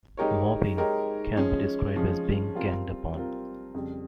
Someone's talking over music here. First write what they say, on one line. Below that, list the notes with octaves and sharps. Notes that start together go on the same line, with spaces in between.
Mobbing can be described as being ganged up on.
G#3 D#4 G4 A#4 C#5
G#3 D#4 G4 A#4 C#5
F3 G#3 C#4 G#4
F3 G#3 C#4 G#4
G3 C4 F4 A#4
G3 C4 F4 A#4
F2 C#3 G3